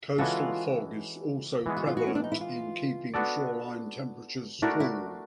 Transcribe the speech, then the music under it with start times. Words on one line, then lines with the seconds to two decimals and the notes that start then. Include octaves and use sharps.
Coastal fog is also prevalent in keeping shoreline temperatures cool.
0.18 E3 G#3 C#4 F4 F#4 A4
1.66 E3 G#3 B3
1.77 F#4
1.87 F4
1.97 F#4
2.07 C#4
2.15 D4
2.24 D#4
2.32 E4
2.41 F4
3.14 B3 D4 F#4 A4 D5
4.62 A3 D4 E4 F#4 A#4 D5
4.80 E4